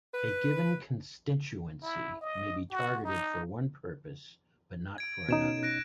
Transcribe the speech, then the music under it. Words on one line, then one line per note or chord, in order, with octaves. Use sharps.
A given constituency may be targeted for one purpose, but not for another.
B4
E4
D#5
F#4
D#4
G#6 D7
B2 C#4 D#4 G#6 D7 E7
F#6 A#6 D7